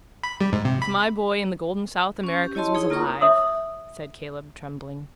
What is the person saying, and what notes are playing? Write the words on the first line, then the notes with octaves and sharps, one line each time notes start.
"If my boy in the Golden South Americas was alive----!" said Caleb, trembling.
B5
G3
G#2
C3
B5
C#4 C#6
G4
E4 C#5 D#5 A5 C6
D#4 E4 G#4 C#5
A#3 F4 A#4 A#5 C#6 D#6
C#5 E5 C6 D#6 E6